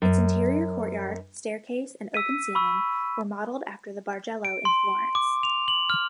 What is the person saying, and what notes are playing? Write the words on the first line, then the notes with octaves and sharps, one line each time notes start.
Its interior courtyard, staircase, and open ceiling were modeled after the Bargello in Florence.
F#2
E6 B6 D#7
B5 C#6 E6
D7
C6
D6
F7
F#7
F6